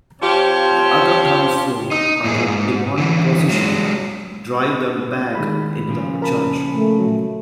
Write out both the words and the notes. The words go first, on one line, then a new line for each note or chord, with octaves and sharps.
The other townsfolk, under demonic possession, drive them back into the church.
F3 C4 F4 G4 C#5
D#4
A2 A#3 G#4
G#2
D3 E3
F#3 G#3
D#3 G#3 B5
A#2 C#3 F3
A#4 A5 B5
A3
F#3